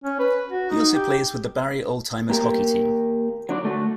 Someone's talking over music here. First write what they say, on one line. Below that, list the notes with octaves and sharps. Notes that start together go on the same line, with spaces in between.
He also plays with the Barrie Oldtimers Hockey Team.
C#4
B4
F#4
D#4
G4
A#3 G4 A#4
F#3 D4 C5 D5
D3 A3 F#4 A4